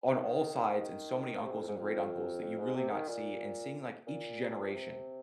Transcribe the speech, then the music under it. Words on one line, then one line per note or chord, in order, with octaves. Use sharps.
on all sides, and so many uncles and great-uncles that you really not see, and seeing, like, each generation
D#3
C3
G#2
F2
G#2
F2
F2
G#2
C3
D#3
A#2
A#2
C3